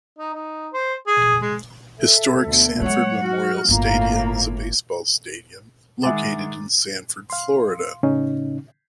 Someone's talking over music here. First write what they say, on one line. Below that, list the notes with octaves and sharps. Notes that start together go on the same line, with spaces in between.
Historic Sanford Memorial Stadium is a baseball stadium located in Sanford, Florida.
D#4
D#4
C5
G#4
G#3
A4 E5
D2 B2
F#3 G#3 C#5 F#5
F#4 F6
G1 A2 A#3 F4 F5 A#5
D#3 G#3 E5 F#5 G#5 A#5 D6 A6
F5 C6
A2 C#3 C#4 D#4